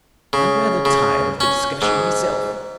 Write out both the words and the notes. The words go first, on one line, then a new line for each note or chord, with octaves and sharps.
"I'm rather tired of the discussion myself."
C#3
C#3
C#4
G#2